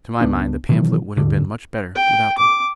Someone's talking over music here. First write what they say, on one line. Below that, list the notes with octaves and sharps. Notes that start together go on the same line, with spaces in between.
To my mind, the pamphlet would have been much better without them.
C#2 B3 D4
B2 D#3 E3 F#3
D#1 D2 G#2 D3
G5
D6